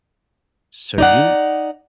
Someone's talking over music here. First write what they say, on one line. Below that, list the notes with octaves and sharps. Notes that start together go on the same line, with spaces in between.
So you
D#4 D5 F#5